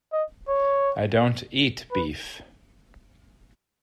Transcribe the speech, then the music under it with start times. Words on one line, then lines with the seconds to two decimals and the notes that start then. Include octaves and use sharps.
I don’t eat beef.
0.13 D#5
0.48 C#5
1.92 B4